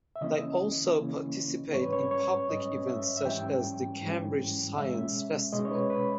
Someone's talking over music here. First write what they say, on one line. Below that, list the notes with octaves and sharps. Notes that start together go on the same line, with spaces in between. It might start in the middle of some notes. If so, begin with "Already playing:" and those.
They also participate in public events such as the Cambridge Science Festival.
E5
C#3 E3 A#3 C#4 D#5
C#3 E3 A#3 C#4
G#2 G3 C#4 C#5
B4
C#5
C#5
G#2 G3 C#4 D#5
E5
E5
G#2 E3 G3 C#4 G5
G#2 E3 G3 C#4
B2 G#3 C#4 E5
B2 G#3 C#4 D#5
C#5
B4
B4